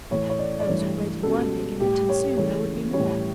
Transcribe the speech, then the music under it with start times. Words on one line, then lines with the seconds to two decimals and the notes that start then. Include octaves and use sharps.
There was already one egg in it and soon there would be more.
0.11 A2 E3 A3 C#5
0.29 C#5
0.39 D5
0.60 D5
0.67 G2 E3 A3 C#5
1.23 C#2 B2 G3 A4
1.80 A2 G3 G4
2.09 C#5
2.37 C#2 C#3 E3 A3 C#5
2.93 A2 E3 G3 C#5